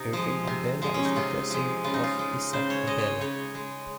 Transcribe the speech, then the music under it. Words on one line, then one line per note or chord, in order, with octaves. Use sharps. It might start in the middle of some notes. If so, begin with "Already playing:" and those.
Irving Abella is the cousin of Isaac Abella.
Already playing: C3 D#4
F3 G#3
C3
F3 G#3
C#4
D#4
C3 F4
F3 G#3
C#3 F4
D#4
F4
G#3
C#3 C5
C#5
G#3 D#5
C#5
D#5
C#3 C#5
G#3